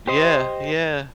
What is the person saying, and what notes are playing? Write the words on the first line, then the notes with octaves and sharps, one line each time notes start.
Yeah, yeah.
G4 C5 D#5 C6